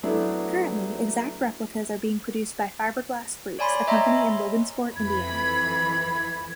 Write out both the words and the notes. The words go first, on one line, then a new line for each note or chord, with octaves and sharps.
Currently, exact replicas are being produced by Fiberglass Freaks, a company in Logansport, Indiana.
F#3 A3 B3 D4 E4
C#5 D5 G#5 B5 C6
C#5 D#5 E5 A#5 C6
F2 E3 B5 G#6